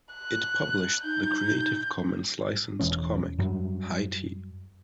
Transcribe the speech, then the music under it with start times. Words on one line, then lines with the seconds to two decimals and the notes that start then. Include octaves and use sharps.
It published the Creative Commons-licensed comic, Hai Ti!
0.15 F#6
1.04 D#4 G6
2.80 E1 E3 G#3 C#4
3.39 F#2 F#3 G3